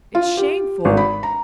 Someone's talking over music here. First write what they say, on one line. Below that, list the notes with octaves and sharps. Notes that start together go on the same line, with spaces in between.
It's shameful!
F4
G4
G#1
B5
A#5